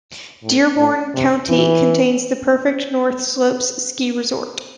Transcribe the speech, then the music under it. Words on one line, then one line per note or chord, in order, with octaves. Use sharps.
Dearborn County contains the Perfect North Slopes ski resort.
A2
A2
C3
E3